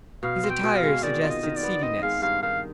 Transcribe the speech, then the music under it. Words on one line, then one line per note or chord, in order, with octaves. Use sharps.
His attire suggested seediness.
B2 F5
C4
G5
B2
F5
G#3
D#3 D5
F4
D#5
D#3
D5
B3
C4 D#5
G#3 F5
G2 F5
D#3 F5